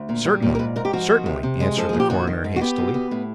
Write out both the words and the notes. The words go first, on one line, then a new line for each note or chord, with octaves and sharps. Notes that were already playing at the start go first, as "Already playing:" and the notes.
"Certainly--certainly," answered the coroner hastily.
Already playing: D2
A#2
G3
A#2
A#4
G#2 B4
G#2 A#4
G4
F3 F#4
D#3
C3
C3
G#3
F3 A4
A#2 G#4
G4
D#3 F#4
D#3
G#2
F#4
B3 G4
B2
B3
A2